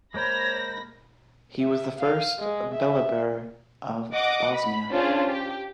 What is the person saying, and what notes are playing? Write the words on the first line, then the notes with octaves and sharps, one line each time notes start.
He was the first beylerbey of Bosnia.
G#3 A#3 A#4 C5 C#5 B5 A#6
E5
F5
G#3
E5
D#5 F#5 D6
B5
C#4 D4 F4 G#4 C5 C#5
G4